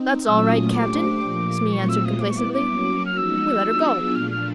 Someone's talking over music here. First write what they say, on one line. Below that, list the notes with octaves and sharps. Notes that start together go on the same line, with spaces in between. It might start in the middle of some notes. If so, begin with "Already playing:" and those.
"That is all right, captain," Smee answered complacently; "we let her go."
Already playing: C4 D#4
A#2 F#3 A3 C#4 F4 E6
D#6
A3 D4 G4 C5 D6
A#2 F3 A#3
A#2 F#3 A3 C4 F4 C#6
E6
D#6
G3 B3 E4 D6
C#6
D6
D6
F#3 A#3 C#4 F#4
F6
F3 G#3 B3 D#4 F#4 E6
F#3 B3 D4 F4 G#4
A#2 F3 A3 D4 F6
F6